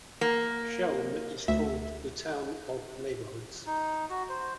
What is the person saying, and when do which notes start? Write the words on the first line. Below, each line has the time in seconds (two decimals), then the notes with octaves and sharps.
Schwelm is called the "town of neighbourhoods".
0.21 A#3
1.48 D2 E5
3.66 D#4
4.09 F#4
4.29 C5